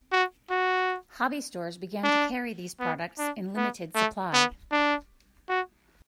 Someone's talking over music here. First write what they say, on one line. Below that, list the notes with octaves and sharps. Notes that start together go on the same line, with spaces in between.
Hobby stores began to carry these products in limited supply.
F#4
F#4
D4
B3
D4
B3
A3
B3
D4
F#4